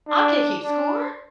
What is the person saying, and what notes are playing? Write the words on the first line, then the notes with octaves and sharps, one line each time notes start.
I can't keep score.
D4
D4